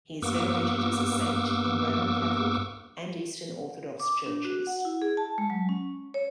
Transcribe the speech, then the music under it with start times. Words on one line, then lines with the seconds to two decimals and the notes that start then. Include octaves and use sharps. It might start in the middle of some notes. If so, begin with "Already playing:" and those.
He is venerated as a saint in Roman Catholic and Eastern Orthodox churches.
0.22 G2 A#3 B3 C#6 D6 E6
4.00 D6
4.26 D4
4.45 F#4
4.67 F#5
4.85 E4
5.02 G#4
5.17 A5
5.38 G#3
5.50 F#3
5.69 C#4
6.14 C#5